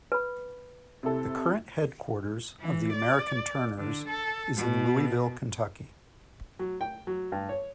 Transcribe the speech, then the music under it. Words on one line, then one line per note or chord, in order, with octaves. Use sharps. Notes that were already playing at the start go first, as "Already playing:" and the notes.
The current headquarters of the American Turners is in Louisville, Kentucky.
B4 B5
C3 E4 A4
E3
D5
D3
A4
B2
F#3
G5
F#3
G2
C#5